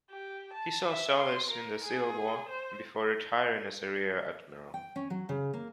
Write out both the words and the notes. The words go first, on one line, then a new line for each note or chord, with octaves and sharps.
He saw service in the Civil War before retiring as a rear admiral.
G4
A5
E5
C6
A#4
G#4
C5
G5
C#4
F#3
C#3
A#3